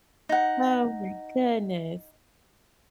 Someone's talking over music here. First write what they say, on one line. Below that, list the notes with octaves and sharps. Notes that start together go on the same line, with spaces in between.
Oh my goodness.
D#4 F#5